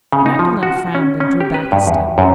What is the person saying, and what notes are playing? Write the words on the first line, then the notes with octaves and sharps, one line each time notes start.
Magdalen frowned, and drew back a step.
C#3
D#4
F3
F#4
C#4
C#4
G4
B4
G2
E2
F#2